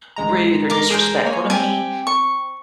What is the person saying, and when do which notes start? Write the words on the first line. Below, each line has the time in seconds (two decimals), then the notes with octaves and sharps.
rude or disrespectful to me,
0.16 A1 G#3 A#5
0.70 A#4 D6
0.90 G#4 A#4 C5
1.25 A#3 C#5 G#5
1.50 C4 G4 G#5
2.07 C#6